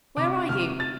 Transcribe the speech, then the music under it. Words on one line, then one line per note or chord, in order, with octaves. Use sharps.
"Where are you?"
C3 D6
C3 F6
A6